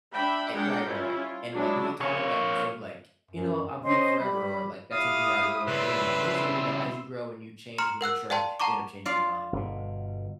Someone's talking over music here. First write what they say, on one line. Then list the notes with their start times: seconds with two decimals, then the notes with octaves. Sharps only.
Right. Right, right, right, and like you get caught in that and you think like, you know, "I'll be it forever," or like, "That's something that I really wanna do," and then eventually, you know, as you grow and you change and you mature, you end up changing your mind.
0.12 D4 E5 G5 B5
0.53 G#3 D4 G#4 A#4 F#5 G5
0.86 G3 C#4 E4 F4
1.19 F4
1.53 F#3 G#3 D4 E4
2.01 A#3 C#5
3.31 F#2
3.83 C#4 C5 D#5 C6
4.21 G3 B5
4.92 E4 G4 F5 D#6
5.67 C#3 G3 B4 C6 E6
7.78 A#5 C6 F6 C#7
8.01 A#4 F#5 E6 F#6
8.30 D5 F5 G5 A5 C6
8.60 F#5 A5 A#5 C#6 D6
9.06 F4 D5 F5
9.53 G1 B2